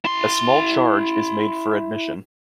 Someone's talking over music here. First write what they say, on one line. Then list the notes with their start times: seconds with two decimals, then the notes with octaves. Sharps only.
A small charge is made for admission.
0.05 E4 C6